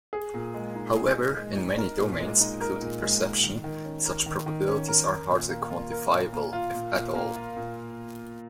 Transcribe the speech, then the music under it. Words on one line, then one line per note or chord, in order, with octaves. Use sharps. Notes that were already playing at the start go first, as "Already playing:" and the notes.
However, in many domains, including perception, such probabilities are hardly quantifiable, if at all.
G#4
A#2
G#3
D#4
G#4
A#2
G#3
D#4
A#4
A#2
G#3
D#4
A#4
A#2
G#3
D#4
D#3
D#3
C#4
A#4
D#3
D#3
C#4
A#4
A#4
A#2
A#3
F4
A#4
A#2
A#3
F4
A#2
A#2
A#3
F4
A#2